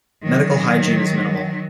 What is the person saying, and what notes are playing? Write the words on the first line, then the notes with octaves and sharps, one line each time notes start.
Medical hygiene is minimal.
D#3 F#3